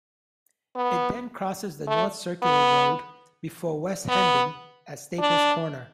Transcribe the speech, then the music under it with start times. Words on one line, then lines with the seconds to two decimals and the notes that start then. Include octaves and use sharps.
It then crosses the North Circular Road before West Hendon at Staples Corner.
0.76 B3
1.87 A3
2.42 B3
4.09 B3
5.19 D4